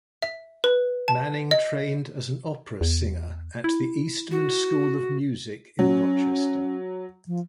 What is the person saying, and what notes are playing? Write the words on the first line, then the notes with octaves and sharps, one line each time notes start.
Manning trained as an opera singer at the Eastman School of Music in Rochester.
E5
B4
A5
D#5
E2
E4
F#4
F#3 C#4
F3